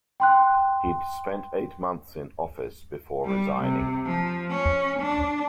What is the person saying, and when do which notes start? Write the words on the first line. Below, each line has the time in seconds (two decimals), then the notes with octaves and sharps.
He'd spent eight months in office before resigning.
0.20 G5 C6 F#6
3.25 G3
3.60 C3
4.06 F3
4.50 C#4
5.00 D4